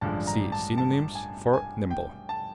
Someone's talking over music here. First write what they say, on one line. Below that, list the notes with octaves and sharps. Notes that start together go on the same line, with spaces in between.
See synonyms for NIMBLE.
A1 G2 D3 F3 G#3 A5
A#5
A5
A5
G#5
G#5
G5
A5